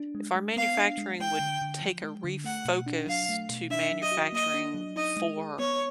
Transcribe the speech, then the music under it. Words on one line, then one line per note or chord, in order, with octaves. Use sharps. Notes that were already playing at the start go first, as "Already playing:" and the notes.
if our manufacturing would take a re-focus to manufacturing for
Already playing: D4
G#3
G#3
B3 F5
D4
G#3
G#3 G5
D3
D3
F3
G#3
D3
A3 F#5
B2
D4
F#3 F5
A3
B2
D4 E5
F#3
D#5
F#4
A#3 D#5
D4
F#3
D#4 D#5
G#3
G#4
B3 C#5